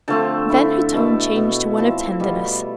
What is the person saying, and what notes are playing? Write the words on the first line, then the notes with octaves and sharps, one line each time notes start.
Then her tone changed to one of tenderness.
D3 F3 A3 C4 A5
D3 A3 E4
B2 A3 E4 A5
B2 B3 E4
F3 C4 E4 A5
B2 G3 B3 F4